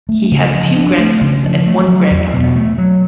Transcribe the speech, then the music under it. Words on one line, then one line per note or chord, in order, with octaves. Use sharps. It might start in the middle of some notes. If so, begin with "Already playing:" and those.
He has two grandsons and one granddaughter.
A3
C#3
F3
D4
A3
C#3
F3
A3
F#3
E2
B2
A3
F#3